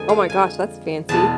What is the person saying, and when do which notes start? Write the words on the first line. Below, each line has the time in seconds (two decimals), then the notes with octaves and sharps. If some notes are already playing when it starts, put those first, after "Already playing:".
Oh my gosh, that's fancy.
Already playing: F2 D3 G#3 G#4 G#5
0.09 F5
0.30 G#5
1.09 E2 B2 G#3 A5